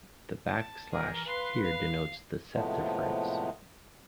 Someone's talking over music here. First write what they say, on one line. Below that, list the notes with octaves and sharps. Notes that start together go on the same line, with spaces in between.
The backslash here denotes the set difference.
A5
E3 G#4 A#4
B4 F5 C6
F5
A2 C3 F3 G#3 A3 B3